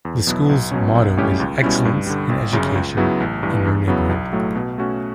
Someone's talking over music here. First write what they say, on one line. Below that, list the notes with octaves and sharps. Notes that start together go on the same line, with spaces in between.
The school's motto is "Excellence in Education, in your Neighborhood".
E2
B2 F#3 B3 E4
B1
B2 F#3 C#4
B1
A2 G3 C#4 G4
C#2
B2 G3 C#4 E4
G2
D3 G3
G1
F#2 C#3
C#2
C#3 F#3 B3 E4
A1
G2 E3
E2
C#3 F#3 B3 E4
B1
A2 F#3 A3
B2
A3 C#4 F#4